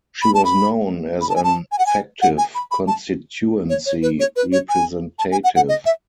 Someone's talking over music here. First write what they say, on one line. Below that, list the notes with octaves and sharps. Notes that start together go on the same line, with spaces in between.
She was known as an effective constituency representative.
B5
A5
B5
B5
A5
G#5
A5
G#5
F#5
G#5
F#5
G#5
B5
B5
A5
C#5
C#5
B4
C#5
B4
C#5
G#5
A5
G#5
F#5
F#5
D#5
E5